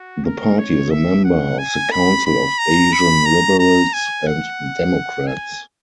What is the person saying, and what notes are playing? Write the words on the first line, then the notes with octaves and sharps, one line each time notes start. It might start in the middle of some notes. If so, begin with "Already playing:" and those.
The party is a member of the Council of Asian Liberals and Democrats.
Already playing: F#4
A#4
C#5
E5
F#5
G#5
B5
B5
A#5
B5
A#5
A#5
G#5
F#5
G#5